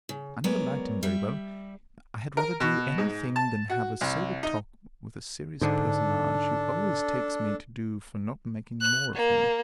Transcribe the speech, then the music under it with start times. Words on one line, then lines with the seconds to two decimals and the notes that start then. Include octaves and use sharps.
I never liked him very well; I had rather do any thing than have a sober talk with a serious personage, who always takes me to do for not making more of him.
0.09 C#3
0.44 F#3 G#3 B3 A#4 C#5 D5
1.03 G3 E5
2.37 A#4
2.60 B2
2.98 G#2
3.36 A5
3.70 F#4
4.01 C2
4.43 D#4
5.61 G#2 D3 D4 A4
8.81 F#6
9.15 A#3